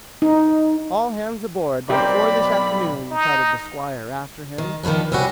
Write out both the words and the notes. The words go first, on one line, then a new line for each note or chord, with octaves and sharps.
"All hands aboard by four this afternoon," shouted the squire after him.
D#4
B1 C4 G4 A#4 C5 D5 B5
D#4
D#3
D#3 F3 G#3 B3 D4
C3 G3 B3 C#4 F#4